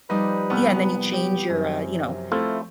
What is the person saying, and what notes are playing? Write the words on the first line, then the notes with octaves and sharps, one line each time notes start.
Yeah, and then you change your, uh, you know,
F3 G3 D#4 B4
C2 B3
G4
F#2 C3
A3 C4 E4 F4 A4